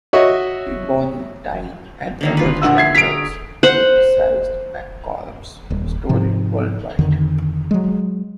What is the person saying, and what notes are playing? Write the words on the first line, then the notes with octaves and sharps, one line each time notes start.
"Ebony," "Time," and other journals publicized McCollum's story worldwide.
F#4 C#5 D#5 E5
D3 D#3 A#3
F4 B4
A#1 F#5 E6
E5 G#6 C7
F#4 G#4 A#5 B6 D7
C5 F#5
D#1
G#2 C3 F3
F2 D3 D#3
F#3 G#3